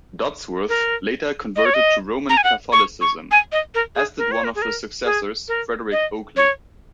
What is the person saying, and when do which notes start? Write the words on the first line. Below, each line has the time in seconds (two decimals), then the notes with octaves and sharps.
Dodsworth later converted to Roman Catholicism, as did one of his successors, Frederick Oakeley.
0.69 A#4
1.56 D#5
1.65 C#5
1.74 D#5
2.29 A#5
2.37 G#5
2.44 F#5
2.72 C#6
3.01 C#6
3.31 G#5
3.52 D#5
3.75 A#4
3.96 G#4
4.18 A#4
4.32 C#5
4.44 A#4
4.55 G#4
4.62 A#4
5.05 G#4
5.48 A#4
5.92 D#5
6.37 C#5